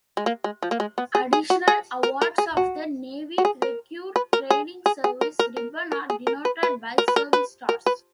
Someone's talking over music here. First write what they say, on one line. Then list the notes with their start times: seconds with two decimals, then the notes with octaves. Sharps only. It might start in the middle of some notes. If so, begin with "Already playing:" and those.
Additional awards of the Navy Recruit Training Service Ribbon are denoted by service stars.
0.17 G#3
0.26 A#3
0.44 G#3
0.63 F3
0.71 A#3
0.80 G#3
0.98 B3
1.15 G#4
1.33 G#4
1.50 F#4
1.68 G#4
2.03 A#4
2.22 A#4
2.38 G#4
2.57 F#4
3.38 F#4
3.45 G#4
3.62 A#4
4.16 B4
4.33 A#4
4.50 G#4
4.86 G#4
5.04 G#4
5.21 A#4
5.39 A#4
5.57 A#4
5.92 A#4
6.10 G#4
6.27 A#4
6.45 B4
6.63 B4
6.98 A#4
7.08 B4
7.16 A#4
7.33 B4
7.69 A#4
7.86 B4